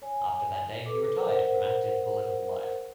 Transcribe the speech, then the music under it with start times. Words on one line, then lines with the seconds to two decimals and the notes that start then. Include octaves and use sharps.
After that date he retired from active political life.
0.02 C#5 G#5
0.86 A4 B4 D6
1.15 A#4 C5 F#5